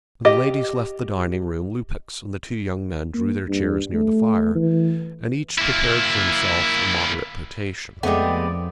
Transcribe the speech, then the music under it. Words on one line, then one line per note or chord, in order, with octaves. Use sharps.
When the ladies left the dining-room Lupex and the two young men drew their chairs near the fire, and each prepared for himself a moderate potation.
G4 D#5
A#3
G2
A3
E3
A#3 E4
F2 G#3 A3 B3 C4 G4 D5